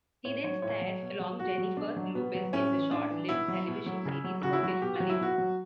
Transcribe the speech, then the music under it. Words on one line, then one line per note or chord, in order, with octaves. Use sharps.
He then starred along Jennifer Lopez in the short-lived television series, "Hotel Malibu".
A2 C#5
F#3 C#5
A2 C#5
F#3
B2
F#3
B2 F#4
F#3
B2 D4
F#3
B2 B3
F#3
A2 C#4
E3
A2 D4
E3
B2 E4
F#3
B2
F#3
C#3
F#3
C#3 F#4
E4
F#3 F#4
B2 G4
F#4
F#3
E4
B2 F#4
F#3